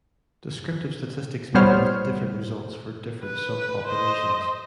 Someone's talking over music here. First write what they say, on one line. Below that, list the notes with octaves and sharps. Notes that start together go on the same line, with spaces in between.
Descriptive statistics may yield different results for different subpopulations.
B2 G3 B3 C5 C#5 F6
B4
C5 D#5